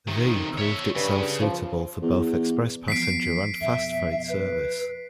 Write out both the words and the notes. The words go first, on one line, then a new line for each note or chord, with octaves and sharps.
The proved itself suitable for both express passenger and fast freight service.
C3 D#3
C#5 E5
G2 C#3
F3
E2
E3 F3 B3 B6 C7 D7
F2 B2 E5
B4